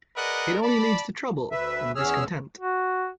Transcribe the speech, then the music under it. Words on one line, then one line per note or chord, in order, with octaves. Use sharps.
It only leads to trouble and discontent.
G#4 A#4 B4 D5 D#5 F#5
D5 A5 B5
D2 B4 E5
E2 C#4 G#4 E6 F6
F#4